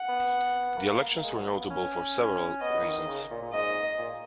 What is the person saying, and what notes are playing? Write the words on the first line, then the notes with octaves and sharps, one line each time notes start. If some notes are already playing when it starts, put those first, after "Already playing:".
The elections were notable for several reasons.
Already playing: F#5
B3
A#3
A#3
G#3
F#3
A#3
B3
C#4
B3 D#5
D#3
C#3
A#2
A#2
G#2 D#5
A#2